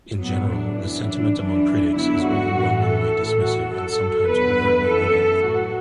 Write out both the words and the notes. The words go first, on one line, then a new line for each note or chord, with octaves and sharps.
In general, the sentiment among "critics" is overwhelmingly dismissive and some times overtly negative.
A2 F#3 B3
D4
F#2 E3
D4
F#2 E3 D4
E2 D3 F#3 E4
F#4
A2 E3
A4
A2 E3
F#4
F#2 F#3 A4
E2 D3 F#3 B4
F#2 E3 A4
A2 F#3 F#4